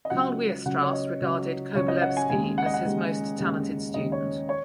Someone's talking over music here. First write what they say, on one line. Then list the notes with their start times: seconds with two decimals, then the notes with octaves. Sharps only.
Karl Weierstrass regarded Kovalevsky as his most talented student.
0.05 D#5
0.10 C#2 C#3 F#3 F#5
0.65 C#2 C#3 F#3 F#5
0.83 C#5
0.93 D#5
1.21 C#2 C#3 F#3
1.74 C#2 C#3 F#3 C#5
1.88 D#5
2.02 F#5
2.17 G#5
2.30 D#2 C#3 G#3 G#5
2.58 F#5
2.66 D#5
2.74 F#5
2.85 D#2 C#3 G#3
3.39 D#2 C#3 G#3
3.94 D#2 C#3 G#3 D#5
4.12 C#5
4.49 C#5